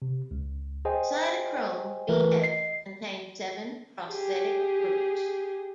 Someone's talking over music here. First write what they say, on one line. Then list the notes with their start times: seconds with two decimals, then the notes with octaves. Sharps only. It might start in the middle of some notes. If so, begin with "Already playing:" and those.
Cytochrome bf contains seven prosthetic groups.
0.02 C3
0.31 C#2
0.85 G#4 C5 D#5 G5 G#5
2.09 E3 A3 F4 A#4 B4
2.42 D#5 C7
4.11 G4 G#4